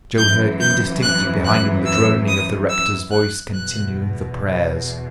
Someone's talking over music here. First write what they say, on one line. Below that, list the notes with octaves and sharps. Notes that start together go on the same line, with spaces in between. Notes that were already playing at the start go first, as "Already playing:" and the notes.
Joe heard indistinctly behind him the droning of the rector's voice continuing the prayers.
F#2 E3 G6
G6
F#6
F#6
E6
D#6
E6
F#6
E2 B2 F#6